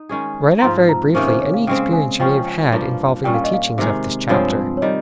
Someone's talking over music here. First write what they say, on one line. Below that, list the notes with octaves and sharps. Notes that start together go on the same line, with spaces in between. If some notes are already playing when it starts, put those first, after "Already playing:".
Write out very briefly any experience you may have had involving the teachings of this chapter.
Already playing: D#4
D#3 G#3 C#4 G#4
A#5
G#2 F3 C4 C6
A#5
C3 D#3 A#3 C#4 C5
C5
C#5
F5
C#3 G#3 C4 G5
G#5
F3 G#3 C#4 G5
G2 F3 A#3
A#2 G3 C#4 G5
F5
D#5
F5
C3 D#3 G#3
G2 F3 G#3 C4 C#5
C#5
D#3 G3 D#5